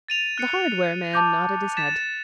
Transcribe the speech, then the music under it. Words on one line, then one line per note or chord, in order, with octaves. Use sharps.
The hardware man nodded his head.
A6 D#7 F7
F#6 C#7
A5 D6 G6
A6 B6 E7